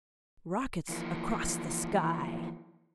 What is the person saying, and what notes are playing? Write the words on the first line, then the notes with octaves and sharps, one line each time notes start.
Rockets across the sky!
E3 F3 A#3